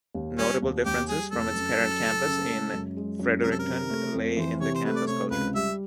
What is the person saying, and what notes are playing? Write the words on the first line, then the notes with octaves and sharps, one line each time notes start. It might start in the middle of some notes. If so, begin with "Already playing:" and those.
Notable differences from its parent campus in Fredericton lay in the campus culture.
D#2
G3 C#4
D#2
D#2 G4
G3 G#4
F1 A4
F#2
F#2
C#3
C#3
G#3
F#2
G#3
F#2
C3 A#4
A4
A#4
C3
A3
F2
E3 C5
C3 C#5
C5
A3 B4
D5
C3 C#5
C#2 B4
G3 E5